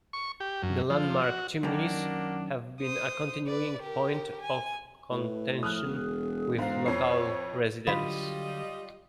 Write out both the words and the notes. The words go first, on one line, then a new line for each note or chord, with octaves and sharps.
The landmark chimneys have been a continuing point of contention with local residents.
C#6
G4
F#2
F3
F#4
F#2 D#3 A#3 D4 F#4
C5 D#6
B4 D5
G4 A#4
G#5
A2 B4
F3 D#6 F6 F#6
E1 G#4
G#2 C5 F5
F2 C#5 C7
D3 F#3 G3 F4 D#5 B5 B6